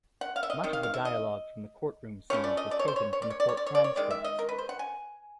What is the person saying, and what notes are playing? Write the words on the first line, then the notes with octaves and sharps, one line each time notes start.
Much of the dialogue from the courtroom scenes was taken from the court transcripts.
F#5
F5
E5
D#5
C3 D#3
F5
F5
E5
D#5
F3 A3 C#4 E4 C#5
D5
D#5
D5
C#5
C5
C#5
C#5
D5
C#5
D5
C#5
D5
C#5
D5
C#5
D#3 G#3 D5
E5
D#5
A#4
B4
C5
F#5
G#5